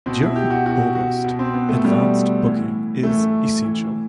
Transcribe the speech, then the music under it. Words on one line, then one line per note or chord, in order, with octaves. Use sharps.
During August advance booking is essential.
B2 C4
E4
G4
F#4
B2 F#4
F#4
B2
C4
B3
A3
B2 G3
A2 E3
A2 E3 A3
A2 E3